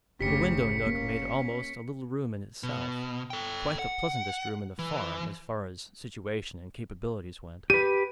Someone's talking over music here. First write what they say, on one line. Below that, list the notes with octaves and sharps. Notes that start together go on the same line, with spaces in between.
The window nook made almost a little room in itself, quite the pleasantest room in the farm as far as situation and capabilities went.
F#1 D2 C#3 G4 B6 C#7
A#3 C#4
B2
A4 G5
F#5
E3
G4 B4 D#7